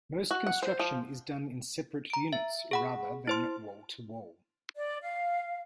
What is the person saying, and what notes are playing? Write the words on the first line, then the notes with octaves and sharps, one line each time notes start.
Most construction is done in separate units, rather than wall-to-wall.
F#4
F#5
C5
F3
A#5 D7
E5
G#4 F#5 B5
E4 C5 C6
D5
F5